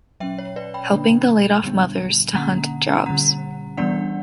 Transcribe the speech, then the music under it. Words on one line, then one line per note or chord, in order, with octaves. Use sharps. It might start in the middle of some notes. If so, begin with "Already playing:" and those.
Helping the laid-off mothers to hunt jobs.
F#3 C#4 E5 G5
C#5
B4 D5
G5 B5
D3 F#3 A#3 D4
D3 G3 B3 D4
D3 A#3 C#4 F#5 A#5
D3 G3 C#4 F#5 A#5
E3 G3 B3 D4 D5 F#5